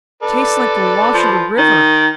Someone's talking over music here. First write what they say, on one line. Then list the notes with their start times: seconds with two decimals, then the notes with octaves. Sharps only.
'Tastes like the wash of the river.'
0.23 A4 B4 D5
1.14 F3
1.58 D#3